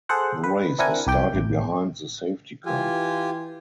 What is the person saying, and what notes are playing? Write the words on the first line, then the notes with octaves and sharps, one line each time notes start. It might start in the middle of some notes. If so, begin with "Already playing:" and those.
The race was started behind the safety car.
G#4 A4 C5 F#5
B4
C4 D4 E4 A#4 F#5 G#5
C2 G4 G5
A1
E3 F4 G4 G#5